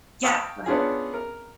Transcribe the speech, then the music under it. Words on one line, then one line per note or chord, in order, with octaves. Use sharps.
yeah, go ahead.
F5 G5 A5 C#6 D#6 E6
B3 C#4 D4 F4 G#4
A#4